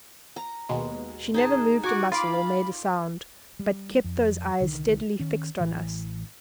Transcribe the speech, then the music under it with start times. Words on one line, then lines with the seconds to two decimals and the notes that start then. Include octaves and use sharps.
She never moved a muscle or made a sound, but kept those eyes steadily fixed on us.
0.36 A#5
0.69 D#2 B2 G#3
1.34 D#4 G#4 A5
1.83 F#4 F#5 G#5 D6
2.12 F4 F5 B5 D6
3.59 G3
4.04 F2
4.60 C2 D3 D#3
5.19 D#3 C#4
5.59 A1 E3